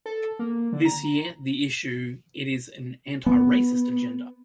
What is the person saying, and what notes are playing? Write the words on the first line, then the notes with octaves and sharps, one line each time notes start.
This year, the issue it is an anti-racist agenda.
A4
A#3
D3
A#5
B3